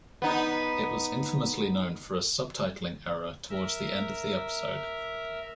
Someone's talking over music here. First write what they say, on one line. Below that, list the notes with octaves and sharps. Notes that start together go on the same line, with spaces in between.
It was infamously known for a subtitling error towards the end of the episode.
B3 D#4
A#4 E5